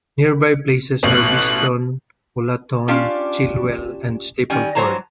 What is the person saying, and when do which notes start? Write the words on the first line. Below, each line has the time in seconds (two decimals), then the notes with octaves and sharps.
Nearby places are Beeston, Wollaton, Chilwell and Stapleford.
1.03 A1 B2 F#6
2.88 C#4 D4 F4 G4 F5
4.50 D#3 G3 C#4 G#5
4.75 E3 F#3 C5 C#5 A5 A#5